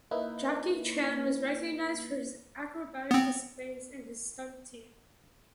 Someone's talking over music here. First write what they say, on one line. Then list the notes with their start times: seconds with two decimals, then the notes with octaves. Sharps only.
Jackie Chan was recognised for his acrobatic displays and his stunt team.
0.11 A#3 D#4 E4 B4
3.11 B3 C4